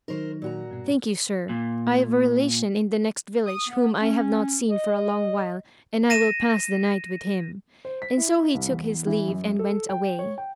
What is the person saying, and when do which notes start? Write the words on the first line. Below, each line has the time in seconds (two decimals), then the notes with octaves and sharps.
"Thank you, sir: I've a relation in the next village whom I have not seen for a long while, and I will pass the night with him;" and so he took his leave, and went away.
0.08 D#3 F#3 D#4 A#4 C5
0.42 A#2 F#4 A#5
0.71 G2 B2
1.49 A#2
3.46 D#6
3.68 B3
4.00 C#4
4.70 D#5
6.10 A#6 D#7 E7
7.85 C5
8.02 B6
8.18 E4
8.55 C2
8.71 E2
9.07 E3
9.28 F#2
9.59 A4
9.89 G5
10.19 C#5
10.38 G5